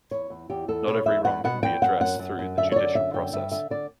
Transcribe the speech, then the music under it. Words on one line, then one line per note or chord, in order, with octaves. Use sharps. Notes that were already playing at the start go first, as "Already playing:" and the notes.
Not every wrong can be addressed through the judicial process.
E2 C#5
E2
E2 G4
E2 A4
B2 C#5
E2 E5
E2 F#5
B2 F#5
E2 G5
F#2 F#5
F#2 F#5
F#2
F#2
D3 E5
C#5
F#2 D5
D3 E5
F#2 G5
G2 E5
D3 E5
D3 D5